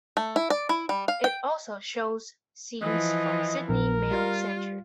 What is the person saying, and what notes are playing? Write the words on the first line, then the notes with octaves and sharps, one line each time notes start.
It also shows scenes from Sydney mail centre.
A3
E4
D5
E4
G3
F5
G5
E3 F3 D#5
A#1 A#4
G3 F4